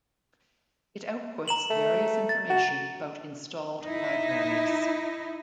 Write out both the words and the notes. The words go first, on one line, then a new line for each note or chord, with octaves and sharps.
It outputs various information about installed libraries.
A#5 E7 F#7
A3
A6
F#4
D#4 E4